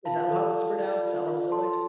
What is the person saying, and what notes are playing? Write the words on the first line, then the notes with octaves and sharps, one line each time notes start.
Is that how it's pronounced, salicylic?
F4 F5 A5
A4
A4
D5
F4
F4
A4 A5 C6